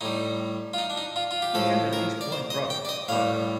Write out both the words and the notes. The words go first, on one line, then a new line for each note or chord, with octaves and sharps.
He had at least one brother, Murray.
A2 G3 D#4
F4
D#4
D4
D#4
F4
F4
G4
A2 F3 A4
A#4
D5
C5
D#5
G5
D5
D#5
A2 G3 F5